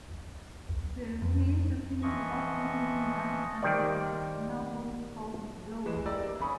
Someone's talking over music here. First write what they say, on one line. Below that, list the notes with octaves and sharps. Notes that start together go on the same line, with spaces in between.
They released a single "Watermelon Man" and an album called "Blow!".
F2
E3 F3 D#5 C#6
D#3 G3 A#3 C5 D5
E3 G#3 B4 E7
E4 G4 A#4 D5 A#5 E6
D4
G1 G#5 B5 C#6 D#6